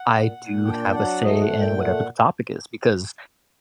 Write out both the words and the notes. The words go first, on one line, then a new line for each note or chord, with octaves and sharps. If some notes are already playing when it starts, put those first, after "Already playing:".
I do have a say in whatever the topic is because
Already playing: F#5
A#2
A#2
D4 G5
F#3 F#5
A3 D#5
F#5
A#2
G5
A3 F#5